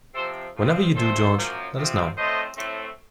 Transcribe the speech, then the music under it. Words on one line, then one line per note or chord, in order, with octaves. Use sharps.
Whenever you do, George, let us know.
C3 F3 C4 A4 C5
A2 F3 C4
A#2 A3 C4 A4 C5
F#2 F3 A#3
C3 F3 C4
A2 A3 C4 C5 D#5
A2 A3 C4